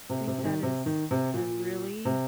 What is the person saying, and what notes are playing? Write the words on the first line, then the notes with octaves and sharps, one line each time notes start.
think that is a really
C3
C3
C3
D#3
C3
D#3
C3
A#2
C3